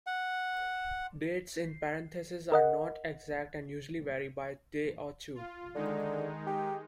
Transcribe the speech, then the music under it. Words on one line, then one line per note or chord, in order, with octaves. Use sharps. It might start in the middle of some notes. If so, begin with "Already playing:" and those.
Dates in parentheses are not exact and usually vary by a day or two.
F#5
A#4 D#5 F#5
F4
D3 D#3 G#3 D#4
G4